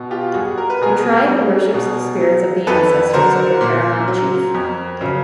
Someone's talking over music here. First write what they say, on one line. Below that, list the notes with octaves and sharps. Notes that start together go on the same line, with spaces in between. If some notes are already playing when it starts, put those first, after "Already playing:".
The tribe worships the spirits of the ancestors of the paramount chief.
Already playing: B2
F4 G4
G3 F#4 G#4
A#4
B4
B2 G#4 A#4
G3
B2
F#3
F2 A4 B4
D3 F#3 A#4 C5
A#2
F#3
F2
C#3 F#3